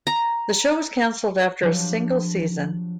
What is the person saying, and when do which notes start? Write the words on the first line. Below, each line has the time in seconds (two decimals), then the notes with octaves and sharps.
The show was canceled after a single season.
0.07 A#5
1.62 F3 F#3 D4 G4